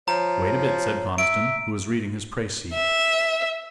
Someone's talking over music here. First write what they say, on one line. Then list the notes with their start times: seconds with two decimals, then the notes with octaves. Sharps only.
"Wait a bit," said Conniston, who was reading his precis.
0.08 F3 C#5 A#5
1.18 E5 D7
2.74 E5